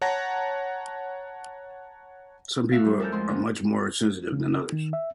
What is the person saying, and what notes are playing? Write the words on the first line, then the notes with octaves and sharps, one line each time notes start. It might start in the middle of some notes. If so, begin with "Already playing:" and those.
Some people are much more sensitive than others.
C#5 F#5 A5 A#5 A#6
A3 F#4 E5 F5
G3
F2 C#4 E4 A4 A#4 G6
D2 F3 G#3 C6
D3 A#3
C#3
D#3
E5